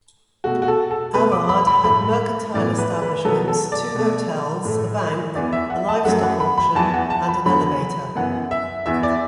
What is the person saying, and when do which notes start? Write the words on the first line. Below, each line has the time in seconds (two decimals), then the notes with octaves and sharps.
Avard had mercantile establishments, two hotels, a bank, a livestock auction, and an elevator.
0.44 B2 A3 F#4
0.62 F#4
0.68 A4
0.91 A4
1.14 B2 A3 B4
1.32 D6
1.49 B5
1.67 B5
1.84 A2 A3 B5
2.54 A2 E3 B3 D5
2.78 B4
3.02 B4
3.25 B2 F#3 B3 A4
3.48 A4
3.72 D5
3.95 B2 A3
4.65 A2 A3
5.35 E2 E3 B3 D5
5.53 E5
5.70 F#5
5.89 A5
6.05 F#2 F#3 A3 F#5
6.23 F#5
6.40 B5
6.58 B5
6.75 E2 E3 B3 A5
6.94 F#5
7.10 A5
7.28 B5
7.45 E2 D3 F#3 B5
8.15 F#2 E3 B3 F#5
8.51 E5
8.86 E2 E3 B3 E5
9.03 D5